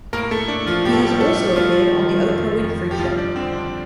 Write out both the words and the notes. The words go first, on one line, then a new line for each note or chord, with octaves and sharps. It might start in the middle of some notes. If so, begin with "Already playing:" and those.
He has also appeared on "The Oprah Winfrey Show".
A2 A#3 A#4
A3 A4
A3 D4
F3 F4
A2 G4
A4
G3 G4
A3 A4
F3 A3 F4
D#3
F2
F2
G4
F3 G3 F4
D4
D3 C4
D4